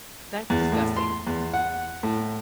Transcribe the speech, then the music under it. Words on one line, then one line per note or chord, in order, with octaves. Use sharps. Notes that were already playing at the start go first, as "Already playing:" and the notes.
That's disgusting.
E2
A2
C6
E2
F#5
A2